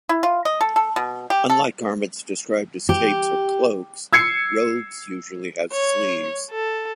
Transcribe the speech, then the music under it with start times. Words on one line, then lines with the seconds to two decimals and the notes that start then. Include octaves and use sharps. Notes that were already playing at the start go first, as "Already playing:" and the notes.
Unlike garments described as capes or cloaks, robes usually have sleeves.
0.09 E4
0.23 F4
0.45 D#5
0.61 A4
0.76 A4
0.96 B2
1.30 G4
1.50 A4
2.89 G4
4.13 E6 G#6 C7 C#7
5.73 C#5
6.51 A4